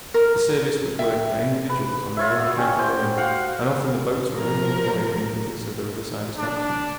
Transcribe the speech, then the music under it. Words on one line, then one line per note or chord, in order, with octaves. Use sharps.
The service was worked by individuals on their own account alone, and often the boats were only employed in the business of the riverside establishments.
A#4
E5 G5
B4
F4 C#5 E5
F#4 D#6
C#4 G4 C#6
C5 G5
F#4 F5 F#5
F3 A#4
D4